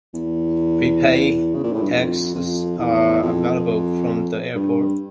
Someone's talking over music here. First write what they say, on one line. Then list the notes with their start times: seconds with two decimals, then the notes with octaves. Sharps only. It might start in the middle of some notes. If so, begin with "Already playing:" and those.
Pre-paid taxis are available from the airport.
0.14 E2
1.55 C#3
1.63 A#2
1.73 A2
1.82 G2
1.91 F2
2.35 F2
2.79 E2
3.22 F2
4.55 G2